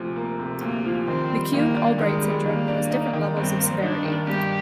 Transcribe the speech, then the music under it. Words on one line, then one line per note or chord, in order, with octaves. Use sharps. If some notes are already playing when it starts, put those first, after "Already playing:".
McCune-Albright syndrome has different levels of severity.
Already playing: D2 C3 F3
A#3
C3
D2 A#3
F3
D#3 C4
G3
D#3 A#3
D4
D#3 G#3
G3
D#3 A#3
D4
D#4
D#3
G2 C4
A#3
D4 D#4
D#3
G2 G4